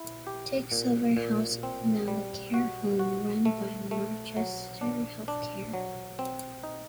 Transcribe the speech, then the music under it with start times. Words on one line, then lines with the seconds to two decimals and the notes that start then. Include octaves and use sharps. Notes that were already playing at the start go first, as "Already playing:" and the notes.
Tixover House is now a care home, run by Barchester Healthcare.
Already playing: E4
0.27 G4
0.72 A#2
1.17 A#2
1.63 C4
2.08 G3
2.54 F#4
2.99 F#4
3.45 A3
3.91 A3
4.37 F#3
4.81 D4
5.28 D4
5.74 F#3
6.19 C4
6.64 D#4